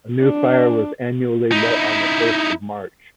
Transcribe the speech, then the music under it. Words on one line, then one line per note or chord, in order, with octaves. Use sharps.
A new fire was annually lit on the first of March.
D4
D#4 E4